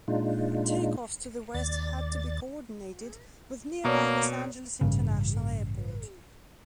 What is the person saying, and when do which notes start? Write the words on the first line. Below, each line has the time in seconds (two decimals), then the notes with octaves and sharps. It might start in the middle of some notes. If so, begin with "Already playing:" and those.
Takeoffs to the west had to be coordinated with nearby Los Angeles International Airport.
0.08 A#2 G#3 D4 D#4 F4
1.54 D#2 D5 A6
3.85 B2 A#3 C#5 D5 A#5
4.81 A1 G2 C#3